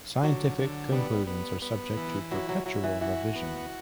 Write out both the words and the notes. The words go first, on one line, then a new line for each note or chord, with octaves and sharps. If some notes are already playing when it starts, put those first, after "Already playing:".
Scientific conclusions are subject to perpetual revision.
D3 F#3
D3
G3 B3
B3
B3
E3
F#3 E4
F#3
F#3 E4
E3
E3 F#4
B3